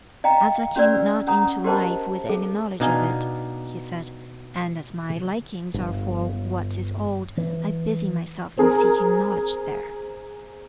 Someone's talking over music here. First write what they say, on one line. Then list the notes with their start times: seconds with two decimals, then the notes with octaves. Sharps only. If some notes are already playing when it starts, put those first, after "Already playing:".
"As I came not into life with any knowledge of it," he said, "and as my likings are for what is old, I busy myself in seeking knowledge there."
0.24 D#5 F5 G5 A#5
0.76 C#4 F#4 B4 D5 E6
1.27 C#4 F#5 A#5 D#6
1.64 F#4 G4 A#4 C5 D#5 A5
2.29 G#4
2.80 B2 D4 D#4 F5 G#5
5.74 G1
7.37 E3
8.58 C4 G#4 A#4